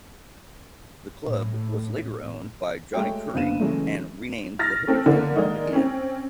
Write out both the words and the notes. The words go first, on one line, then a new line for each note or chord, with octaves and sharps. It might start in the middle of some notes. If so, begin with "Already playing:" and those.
The club was later owned by Johnnie Currie and renamed The Hippodrome again.
A2
G#3 A3 F#4 C#5 G5
F#1 D3 B3 F5 D#7 E7
C#3 E3 F#3 G#3 A3
F6 A6 A#6
A3 C4 A4
D3 A#3 D4
D#3 G#3 A#3 D4 D#4
C4 C#4